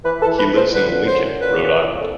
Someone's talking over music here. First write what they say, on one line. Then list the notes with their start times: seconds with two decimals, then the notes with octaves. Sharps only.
He lives in Lincoln, Rhode Island.
0.05 E3 B4
0.22 A4
0.27 E3
0.38 B4
0.50 E3
0.56 C5
0.73 D3 B4
0.95 F#2
1.06 C5
1.18 F#2
1.41 A#2 B4
1.64 A#2
1.87 C2
2.00 A4